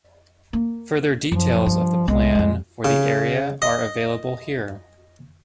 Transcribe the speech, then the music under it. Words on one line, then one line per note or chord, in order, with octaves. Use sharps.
Further details of the plan for the area are available here.
A#3
F#2 F3
G2
C2 G#3 B3
F2 G3
C#3
D#5